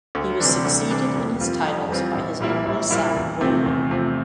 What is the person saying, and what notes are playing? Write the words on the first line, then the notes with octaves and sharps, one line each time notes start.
He was succeeded in his titles by his only son William.
D2
C3 E3 G3 D4
D2
C3 E3 G3 D4
F2
E3 G3 C4 F4
F2
E3 G3 C4 F4
A#1
A#2 G3 A#3 E4
A#1
A#2 G3 A#3 E4
E2
C3 F3 A3 C4
E2
C3 F3 A3 C4